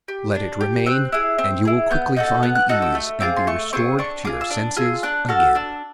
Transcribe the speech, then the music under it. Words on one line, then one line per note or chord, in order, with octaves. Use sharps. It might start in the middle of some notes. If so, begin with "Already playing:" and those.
Let it remain and you will quickly find ease and be restored to your senses again.
G4
D4
G4
C4 F#6
E4 G#4
C4
E4 G#4
B3 G6
D#4 F#4 A4 G6
B3 F#6
F#6
D#4 F#4 A4 F#6
E6
A3
C4 F4 G#4 D6
C6
A3 C#6
C4 F4 G#4 C#6
D4 C#6
F4 G#4 D6
E6
D4 D#6
F4 G#4 E6
D4 F#6
F#4 A4 F6
D4 E6